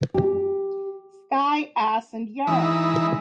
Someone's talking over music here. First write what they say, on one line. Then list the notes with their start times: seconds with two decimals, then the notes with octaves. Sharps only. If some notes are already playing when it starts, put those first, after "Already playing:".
Sky, Ass and yarn!
0.14 G4
2.47 E3 G#3 D#4 E4